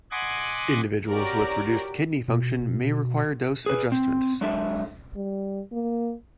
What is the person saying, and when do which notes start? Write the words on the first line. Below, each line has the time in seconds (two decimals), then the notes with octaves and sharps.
Individuals with reduced kidney function may require dose adjustments.
0.11 D#5 F#5 G#5 B5 C6 D6
1.09 C#4 F#4 G4 A#4 D5
2.28 B2
3.66 G#4 B4
3.92 C4
4.41 F#3 G#3 D4 A4 E5
5.16 G3
5.72 A#3